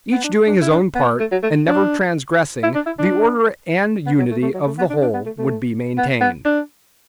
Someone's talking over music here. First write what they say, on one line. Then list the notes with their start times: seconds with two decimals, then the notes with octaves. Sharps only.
Each doing his own part, and never transgressing, the order and unity of the whole would be maintained.
0.12 B3
0.24 D4
0.47 D4
0.62 E4
0.71 D4
0.95 B3
1.20 A3
1.31 F#3
1.43 A3
1.67 D4
2.63 E4
2.75 D4
2.86 E4
2.99 D4
4.06 B3
4.18 F#3
4.31 A3
4.42 A3
4.54 F#3
4.66 A3
4.78 B3
4.90 D4
5.02 D4
5.14 B3
5.25 A3
5.38 A3
5.98 B3
6.21 B3
6.45 D4